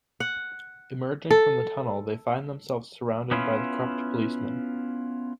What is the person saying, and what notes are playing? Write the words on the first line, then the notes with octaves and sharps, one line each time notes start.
Emerging from the tunnel, they find themselves surrounded by the corrupt policemen.
F#5
A4
B3 C#4 E4 F4